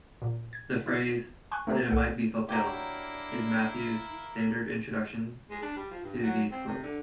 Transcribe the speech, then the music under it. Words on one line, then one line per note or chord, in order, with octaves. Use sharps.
The phrase "that it might be fulfilled" is Matthew's standard introduction to these quotes.
A#2
G#6
E4 D5
G#5 C6 C#6 F#6
A3 B3 C4 G4 A#4 C5
C2 A4 F#5
F#3 A#3 D4 E4 G4
G#3
D4
G3
F3
G2
F#3
C4
C3
D3